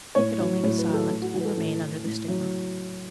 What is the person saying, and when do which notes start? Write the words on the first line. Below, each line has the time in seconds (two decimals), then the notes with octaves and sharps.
He could only be silent and remain under the stigma.
0.15 A2 C#5
0.40 F#3
0.63 A2 C#5
0.78 B4
0.87 F#3
0.94 A4
1.11 A2
1.22 F#4
1.34 E3 F#4
1.40 B4
1.45 A4
1.57 A2
1.81 E3
2.05 A2
2.28 F#3